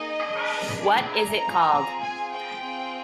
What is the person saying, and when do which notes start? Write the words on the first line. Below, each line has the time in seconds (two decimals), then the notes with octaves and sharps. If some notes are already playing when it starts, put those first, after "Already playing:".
What is it called?
Already playing: A#3 D#4 G#4 D#5
0.26 D4 G#4
0.85 D5
1.13 A#5
1.43 C4 F4 G#4
2.02 G#5
2.32 G5
2.61 C4 F4 G#4